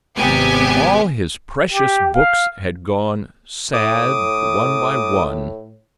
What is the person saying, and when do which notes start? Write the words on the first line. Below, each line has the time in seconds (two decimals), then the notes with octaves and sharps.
All his precious books had gone, sad one by one.
0.17 G#1 C3 B3 G4 G#5
1.72 G4
2.14 F5
3.74 A2 D6 D#6